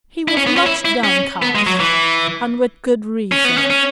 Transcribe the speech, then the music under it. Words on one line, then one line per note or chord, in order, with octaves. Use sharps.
He was much downcast and with good reason.
E4
C#4
B3
C#4
E4
E4
C#4
B3
G#3
F#3
E3
C#4
B3
C#4
C#4